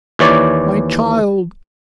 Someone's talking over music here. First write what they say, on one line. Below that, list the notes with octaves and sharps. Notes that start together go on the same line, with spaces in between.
My child!
D#2 E3 C#5 D5